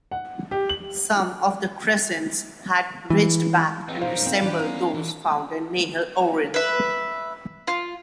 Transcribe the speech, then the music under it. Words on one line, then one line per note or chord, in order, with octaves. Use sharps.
Some of the crescents had ridged backs and resembled those found at Nahal Oren.
F#5
G4
F#7
E3
C#3 B3 C4 D#4 F4
F#2 B2 G3 D#4 C5 F5
C4
E3 D4 G4
A#3 B3 C#4 A#5
E3
B4 E5
F4